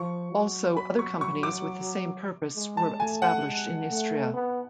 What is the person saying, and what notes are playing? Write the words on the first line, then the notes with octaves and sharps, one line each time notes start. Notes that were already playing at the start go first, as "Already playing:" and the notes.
Also other companies with the same purpose were established in Istria.
Already playing: F3 C#6
F#3
B5
C#6
C#6
D6
G#3
A5
A3 G#5
F#5
G#3
A3
B3